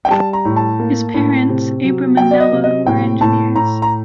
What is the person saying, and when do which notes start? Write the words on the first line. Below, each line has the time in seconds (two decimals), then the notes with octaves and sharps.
His parents, Abram and Nella, were engineers.
0.05 G5
0.10 G3 A5
0.33 A#5
0.45 A2
0.56 A5
0.80 A#3
1.14 A2
1.49 C3
1.83 F#3
2.17 F#3 G5
2.31 D5
2.40 D#5
2.52 C3
2.64 D#5
2.86 A2 G5
3.21 A2 A5
3.55 A2 A#5
3.82 A#5